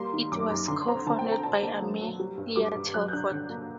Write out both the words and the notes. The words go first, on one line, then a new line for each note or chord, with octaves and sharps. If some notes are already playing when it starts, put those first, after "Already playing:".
It was cofounded by Amelia Telford.
Already playing: G3 A#3 C6
D#3
F#2 D6
F#2
D3 C6
C4 A#5
D3 A5
G5
C4
A#5
D4 A5
A#3
F#3
F#3
G3
G2
G3 D6
G2
F#3 F#6
G6
D4 F#6
D3
A#3